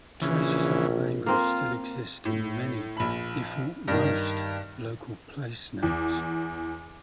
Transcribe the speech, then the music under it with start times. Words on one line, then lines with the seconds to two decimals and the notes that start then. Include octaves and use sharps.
Traces of the language still exist in many, if not most, local placenames.
0.22 A#1 C#3 E3
1.26 A#3 C4 F4
2.25 A2
2.97 A#1 B5
3.88 G2 D#3
5.83 E2